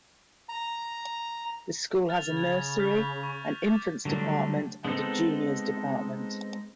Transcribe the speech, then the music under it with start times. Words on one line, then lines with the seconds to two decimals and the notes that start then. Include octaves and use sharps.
The school has a nursery, an infants department and a juniors department.
0.49 A#5
2.09 F6 A6 F7
2.21 C#3
2.37 G#6 F7
2.79 F6 G6 B6
3.23 C#6
3.64 D6 G6 A6
4.05 D3 F#3 G3 A3 D4
4.85 G#3 B3 C4 D#4 A4